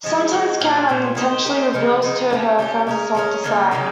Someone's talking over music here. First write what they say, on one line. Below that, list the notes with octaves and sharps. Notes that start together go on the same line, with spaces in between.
Sometimes Karen unintentionally reveals to her friends a softer side.
F3 G#3 C4 D#4
F3 G#3 C4 D#4
A#2 G3 C#4 F4
A#2 G3 C#4 F4
A#3 D#4 G4 C5
A#3 D#4 G4 C5
C#3 F3 C4 D#4
C#3 F3 C4 D#4
G3 C#4 G4
G3 C#4 G4
G#3 C#4 G4 A#4
G#3 C#4 G4 A#4
C#3 G3 A#3 D#4
C#3 G3 A#3 D#4